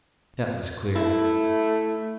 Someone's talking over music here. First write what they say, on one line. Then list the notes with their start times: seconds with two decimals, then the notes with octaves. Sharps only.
That was clear.
0.95 A3 E4